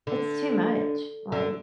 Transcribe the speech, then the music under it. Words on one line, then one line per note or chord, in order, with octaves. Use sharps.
it's too much, like,
D3
D3